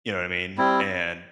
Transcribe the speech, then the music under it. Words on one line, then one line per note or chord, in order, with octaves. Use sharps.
you know what I mean, and
G3 C4 E4